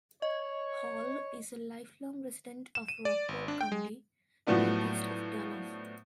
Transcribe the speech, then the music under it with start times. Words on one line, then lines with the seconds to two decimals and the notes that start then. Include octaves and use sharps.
Hall is a lifelong resident of Rockwall County, northeast of Dallas.
0.22 C#5 D#5
2.75 E7
2.88 D#7
3.05 D5
3.28 G#1
3.48 D4
3.61 G5
3.72 G#3
4.47 A2 F3 F#3 A3 B3 D4